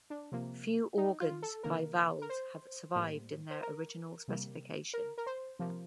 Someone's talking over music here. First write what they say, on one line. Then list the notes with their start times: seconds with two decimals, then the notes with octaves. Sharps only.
Few organs by Vowles have survived in their original specification.
0.10 D4
0.32 C3 F3 A#3
0.98 D#4
1.20 F4
1.42 A4
1.63 C3 D#3 A#3 A#4
2.22 A#4
2.29 C5
2.96 A2 G3 A#3
3.50 C5
3.62 A#4
4.28 C3 G3 A#3
4.94 A#4
5.18 A#4
5.26 C5
5.59 C3 F3 A#3